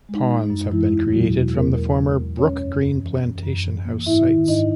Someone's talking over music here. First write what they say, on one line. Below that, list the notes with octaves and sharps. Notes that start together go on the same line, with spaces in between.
Ponds have been created from the former 'Brookgreen' plantation house sites.
G#3
D#4
G#3
D#4
F#2
E3 G#3 E4
E2
B2 F#3 F#4
E2
E2 A#3 A#4
E2
G#3
E2
E3 C#4 C#5
F#2
F#2
E3
F#2
F#2
E3
A#3
G#2 E4 E5
D#3
G#2 D#4 D#5